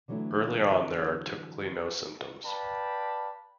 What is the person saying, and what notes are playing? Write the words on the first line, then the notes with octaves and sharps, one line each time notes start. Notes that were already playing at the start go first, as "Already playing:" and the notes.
Early on there are typically no symptoms.
D3 E3 F#3 A3 D4 E4
B4 D5 F5 G5 A5 B5